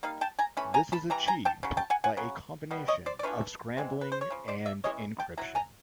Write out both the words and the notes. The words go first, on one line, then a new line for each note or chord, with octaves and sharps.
This is achieved by a combination of scrambling and encryption.
G3 A#3 D#4 F5
G5 A5
G#5 A#5
E3 A3 C#4 B5
G#5 A#5
A5 B5
E3 G3 A#5
G#5 A#5
G5 A5
C#3 F#3
G5 A5
F#5 G#5
F#5 G#5
C#3 F#3
B2 G3 B3
C#5 D#5
C5 D5
D5
E3 A3 D4 F4 B4 C#5
E3 G#3 C4
B4
C5
C#5
C#3 F3
C5 D5
D5 E5
E3 G#3 C#4 E4 C#5 D#5
G5 A5
F#3 B3 E4 A#5
G#5 A#5